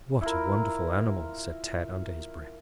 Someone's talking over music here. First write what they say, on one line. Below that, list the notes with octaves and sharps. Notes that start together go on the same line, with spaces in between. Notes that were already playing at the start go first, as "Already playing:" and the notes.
"What a wonderful animal!" said Tad under his breath.
E4 F4 A#4